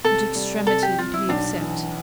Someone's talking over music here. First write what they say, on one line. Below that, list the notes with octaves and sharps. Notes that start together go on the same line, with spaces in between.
What extremity did he accept?
C3 A4
G3
C3 A4
G4
C3 F4
E4
B1 D4
E3